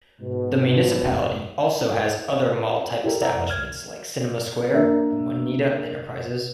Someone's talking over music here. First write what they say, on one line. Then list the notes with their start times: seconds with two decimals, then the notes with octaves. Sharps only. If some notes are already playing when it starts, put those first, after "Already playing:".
The municipality also has other mall type establishments like Cinema Square and Juanita Enterprises.
0.20 G#2 B2
3.04 E4 G4 A4 A#4
3.21 C5 D5 E5 F#5 A#5
3.33 F2
3.49 C2 F6 G#6
4.73 A#3 D4 A#4 E5